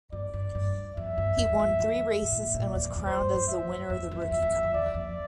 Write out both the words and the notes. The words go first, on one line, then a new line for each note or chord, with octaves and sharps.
He won three races and was crowned as the winner of the rookie cup.
G2 D5
G2
G2
F2 E5
G2
F2
E2
F2
G2
F2
A2
A#2
A#2
A#2
D5
E2
F2
E2
F2 C5
G2
G2
F2 E5
F2
F2
E2
F2 E5
F2
E2
F2
E2 D5
F2